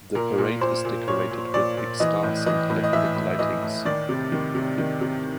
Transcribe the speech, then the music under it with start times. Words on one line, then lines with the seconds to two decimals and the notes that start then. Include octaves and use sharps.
The parade is decorated with big stars and electric lightings.
0.15 A#2 A#4
0.38 A#2
0.61 A#2 C5
0.85 A#2
1.08 A#2 C#5
1.31 A#2
1.54 A#2 D5
1.77 A#2
2.00 E3 D#5
2.23 A2
2.46 E3 D#5
2.70 A2
2.84 D#5
2.93 E3 E5
3.16 A2
3.39 E3 D#5
3.62 A2
3.85 D#3 D5
4.09 C3
4.32 D#3
4.55 C3
4.78 D#3
5.01 C3